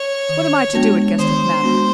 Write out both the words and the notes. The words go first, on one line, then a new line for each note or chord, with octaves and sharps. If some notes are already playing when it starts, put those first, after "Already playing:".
What am I to do at Guestwick Manor?
Already playing: C#5
D#3
G#3 B3 D4 F#4
D#3 C5
G#3 B3 D4 F#4